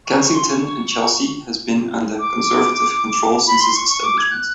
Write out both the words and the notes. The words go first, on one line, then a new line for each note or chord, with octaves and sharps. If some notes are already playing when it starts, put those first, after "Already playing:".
Kensington and Chelsea has been under Conservative control since its establishment.
C#6
C#6
C6
C#6
D6
B5
C6
C#6
C#6
D6
G#6
F#6